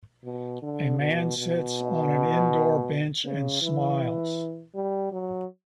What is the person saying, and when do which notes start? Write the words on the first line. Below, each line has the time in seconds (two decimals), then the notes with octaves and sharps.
A man sits on an indoor bench and smiles.
0.24 B2
0.62 D3
0.99 B2
1.37 B2
3.25 C#3
3.62 E3
4.75 G3
5.12 F#3